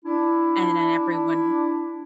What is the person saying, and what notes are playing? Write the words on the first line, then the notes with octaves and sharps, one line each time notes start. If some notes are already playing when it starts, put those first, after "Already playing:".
and then everyone
D4 E4